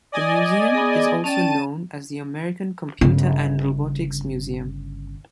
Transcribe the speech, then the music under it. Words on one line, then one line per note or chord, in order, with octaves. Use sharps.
The museum is also known as the American Computer and Robotics Museum.
D5 D#5 G#5
B3 G#4
C#4 D5 G5 A5 D#7
G1 C#3